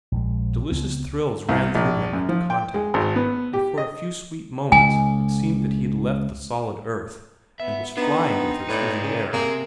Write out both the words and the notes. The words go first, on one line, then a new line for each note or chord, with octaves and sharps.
Delicious thrills ran through him at the contact, and for a few sweet moments it seemed that he had left the solid earth and was flying with her through the air.
A#1 G#3
C#2 B3 C4
C2
A#1
F#2
F3
G5
G#3
G#1
B3
G4
D#5
C#2 G#5
B3 E5
B3 C4 D4 D#4
A2 B4 D5
C#3
C3 A#3 C4 G#4